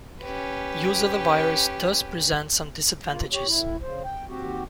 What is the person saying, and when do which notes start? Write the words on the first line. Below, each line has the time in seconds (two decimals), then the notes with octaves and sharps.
Use of the virus does present some disadvantages.
0.21 C#4 G4 B4
3.10 A#3 F4
3.33 G4 C#5
3.46 A2 E4
3.82 C#3 C5
4.05 G5
4.28 D#2 C4 F#4 G4